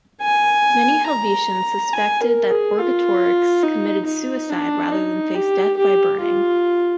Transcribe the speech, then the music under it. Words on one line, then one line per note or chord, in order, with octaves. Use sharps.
Many Helvetians suspected that Orgetorix committed suicide rather than face death by burning.
G#5
A#5
G#5
A#4
G#4
F4
D#4
D#4
D4
D#4
G4
G4
F4